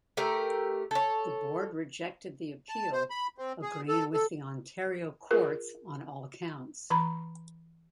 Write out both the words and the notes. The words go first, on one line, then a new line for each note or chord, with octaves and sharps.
The Board rejected the appeal, agreeing with the Ontario courts on all counts.
A3 G4 A#4
A4 C#5
A5
C5
B5
C4
G#4
A4
A4
F4 G#4 A#4 B4
E3 A#5 B5